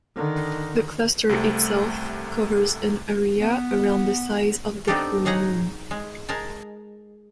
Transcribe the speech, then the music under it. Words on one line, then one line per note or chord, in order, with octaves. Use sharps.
The cluster itself covers an area around the size of the full moon.
D3 D#3
C2 C3 A3
B3
B3 C4 D4 D#4 G4 A4
F#3 D#4 G#4 F#5 A#5
G#3
G#3 A#4 A5